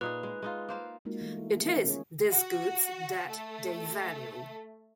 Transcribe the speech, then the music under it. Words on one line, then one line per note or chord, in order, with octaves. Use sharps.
It is these goods that they value.
A#2 D#4 G#4 B4
G#3
G#3 D#4 F4
A#3 C5 F5
G#3 A#3 D#4 F4 F#4 A#4
E3 A3
E4 A4
D#3 B3
A#4
C#4 F4 G#4 C#5
F#4
A3